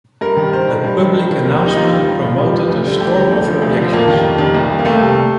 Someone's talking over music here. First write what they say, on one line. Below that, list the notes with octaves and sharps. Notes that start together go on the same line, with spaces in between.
The public announcement prompted a storm of objections.
G2 A#4
D#3 G3
G2 C5
D#3 G3
G2
D#3 G3
G2
D#3 G3
D#2 A#4
G4
D#3 G3 D#4
D#2 F4
D#3 G3
G2
F3
G2 G4
F3
D2
D3 G3
D2 G4
D3 G3 G4
D2
D3 F3
D2
D3 F3
F2 A#3
D#3 G3
F2
D#3 G3
C2
C3 G3
A#3
C2 A3
C3 G3